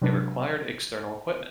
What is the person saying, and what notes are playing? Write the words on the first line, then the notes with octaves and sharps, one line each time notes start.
It required external equipment.
C3 F#3 G#3 D4 B4